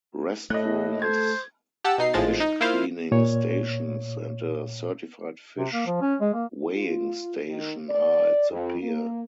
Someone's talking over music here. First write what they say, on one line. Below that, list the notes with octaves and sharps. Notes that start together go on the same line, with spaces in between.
Restrooms, fish-cleaning stations, and a certified fish weighing station are at the pier.
A2 A3 D#5 F#6
A4 C5 G#6
G4 F#5 A5 E6
B2 D#4 C7
G#1 A2 F3 G#3 A6
D#4
A#3 E4 F4 C5 F5
A#2 C#5
C3
A#3
F3
C#4
G#3
A#3
F4
D#3
D5
F2
A#3